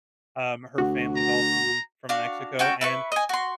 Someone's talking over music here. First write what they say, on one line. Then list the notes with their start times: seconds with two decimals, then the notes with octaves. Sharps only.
um, her family's all from from Mexico, and
0.78 D2 F#4
1.16 A#5
2.09 D4 F#4 F5
2.59 C#4 F#4 A4 G5
2.81 E4 B4 C#6
3.12 D#5 G#5
3.29 F#4 C6